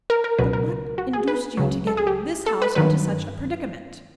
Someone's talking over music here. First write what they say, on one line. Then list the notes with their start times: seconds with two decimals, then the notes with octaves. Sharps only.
"But what induced you to get this house into such a predicament?"
0.10 A#4
0.24 A#4
0.38 C#2 B2 F#3 B4
0.53 A#4
0.98 F#4
1.13 G#4
1.28 B4
1.57 C#2 C#3 F#3
1.87 A4
1.97 G#4
2.07 G4
2.46 A4
2.62 B4
2.75 G2 D#3 F#3 B4